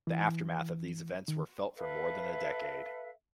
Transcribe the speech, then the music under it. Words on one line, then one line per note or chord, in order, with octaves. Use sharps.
The aftermath of these events were felt for more than a decade.
E3
D#3
A4 B4 E5 F5